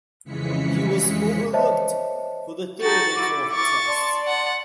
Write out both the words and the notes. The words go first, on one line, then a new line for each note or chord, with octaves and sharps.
He was overlooked for the third and fourth tests.
F2 C#3 E3 G#3 B6 C#7
C5 C#5 D#5 E5 A5
D#4 F#4 G4 A4 A6
E4 D6
C#6 A6
D5 A5 C6
F#5